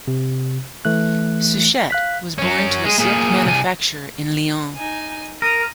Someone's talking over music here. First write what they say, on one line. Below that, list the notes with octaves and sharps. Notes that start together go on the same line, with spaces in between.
Suchet was born to a silk manufacturer in Lyon.
C3
E3 A3 F#6
F5 F#6 B6
F#3 C#4
G#3 G#4
A#2 G#4
C2 G#5
D#4 G#5
A#4 A#5 D#6